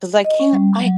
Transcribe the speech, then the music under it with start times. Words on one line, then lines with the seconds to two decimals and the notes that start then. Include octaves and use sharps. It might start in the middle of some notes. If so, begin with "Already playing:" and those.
'Cause I can't, I
0.25 D#5
0.40 C#4
0.53 G3
0.81 F#3